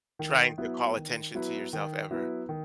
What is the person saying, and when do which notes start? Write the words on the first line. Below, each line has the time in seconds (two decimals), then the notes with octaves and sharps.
trying to call attention to yourself ever?
0.19 D#3
0.58 F#3 B3 E4 B4
0.97 D#3
1.34 F#3 B3 E4 B4
1.73 D#3
2.11 F#3 B3 E4 B4
2.49 D#3